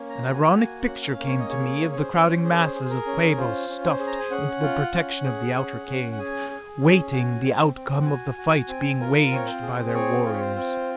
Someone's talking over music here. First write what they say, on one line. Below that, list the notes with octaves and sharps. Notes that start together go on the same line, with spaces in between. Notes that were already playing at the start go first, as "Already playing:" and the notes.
An ironic picture came to me of the crowding masses of Quabos stuffed into the protection of the outer cave, waiting the outcome of the fight being waged by their warriors.
Already playing: A#3 C#4
A#5
F#4
G#5
F#5
A#3 G#5
F#5
C#4
F5
A#3
C#5
D#5
G#4 C#5
C#4
C#5
C5
C#4
G#4 C5
A#4
C5
G#4
C5
A#4
C#4
F4 C5
C#4
C5
G#4
A#5
G#5
C#4 F#5
F4
C#4
G#4
C#4
C#4
F#5
G#4 G#5
G#4
C#4
F#4 G#5
C4
C4
F#5
F#4 G#5
F#4
C4
F4 A#4
C4 C#5
C5
G#4
C5
C4 C#5
F4
C#5
C5
C4